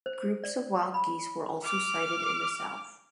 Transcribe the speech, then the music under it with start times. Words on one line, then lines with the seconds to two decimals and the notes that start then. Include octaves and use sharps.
Groups of wild geese were also sighted in the South.
0.06 C5
0.44 D5
0.94 B5
1.64 D6 F6